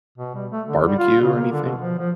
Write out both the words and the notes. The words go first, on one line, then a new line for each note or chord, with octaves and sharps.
barbecue or anything?
B2
G3
A3
D3
G3
F4
C#3
A#3
D3
B2
F3
F3